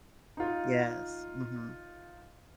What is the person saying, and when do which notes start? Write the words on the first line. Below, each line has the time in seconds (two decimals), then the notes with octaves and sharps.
Yes, mhm.
0.37 D#4 F4